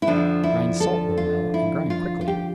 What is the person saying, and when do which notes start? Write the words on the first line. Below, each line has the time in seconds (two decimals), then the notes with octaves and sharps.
"Grind salt, Little Mill, and grind quickly!"
0.02 E4
0.07 F2 D3 F3 D4
0.44 E4
0.80 A4
1.18 F4
1.54 E4
1.90 F4
2.21 F4
2.28 G4